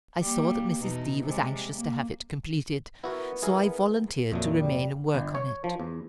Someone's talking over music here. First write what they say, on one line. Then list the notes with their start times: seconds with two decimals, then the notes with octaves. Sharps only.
I saw that Mrs. D. was anxious to have it completed, so I volunteered to remain and work on it.
0.20 G3 A#3
0.80 E2 B2 D#4
1.23 C3 G3 G#3
1.74 A#3
3.04 B3 E4 F#4 A#4
3.43 E4 G#4 A#4
4.32 F2 A#2 F#3 A3
4.59 G3
5.15 G1
5.35 C#5
5.64 F3
5.80 E2